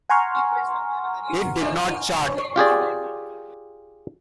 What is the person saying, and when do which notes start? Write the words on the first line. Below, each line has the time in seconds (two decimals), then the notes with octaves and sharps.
It did not chart.
0.09 F#5 G#5 A#5 C6 C#6 F6
2.56 F4 G4 G#4 D5